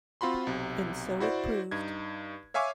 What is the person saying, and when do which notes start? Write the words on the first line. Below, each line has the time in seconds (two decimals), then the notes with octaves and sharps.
And so it proved.
0.21 C4 F4 F#4 B5 C6
0.47 B1 C3
1.20 E4 F#4 C5 D5
1.71 G2 D#4 G#6
2.54 C#5 E5 F5 G#5 C#6 D6